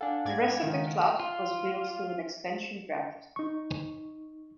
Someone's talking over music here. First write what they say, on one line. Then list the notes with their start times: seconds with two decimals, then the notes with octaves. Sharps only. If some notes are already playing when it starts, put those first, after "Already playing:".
The rest of the club was built through an expansion draft.
0.01 D4 A4 F5 F#5 G#5
0.25 G#2 D5 G#6
0.63 C#2 D#3
1.20 F4
3.36 D#4 C#6